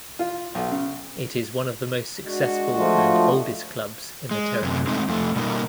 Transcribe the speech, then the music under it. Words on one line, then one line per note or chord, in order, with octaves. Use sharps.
It is one of the most successful and oldest clubs in the territory.
F4
B1
C#3
G#3 D4 F#4
F3 A3 F4
G#3
F#2 C3
G#3 A3 C4 D#4
F2 A3
B2 G3 A#3 D#4 A#4